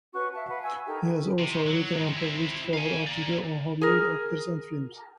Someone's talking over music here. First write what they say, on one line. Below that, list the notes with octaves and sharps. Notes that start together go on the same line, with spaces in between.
He has also written and published cover articles on Hollywood actors and films.
C#4 F#4 B4 C#6
E5 F5 A5
B4 F5 F#5
G#5 C#6 E6
D#4 G4 A4 A#4
C3
F#3
G2 G#3
C4 E4
F5 G#5
A#3 D5
G#4 A#4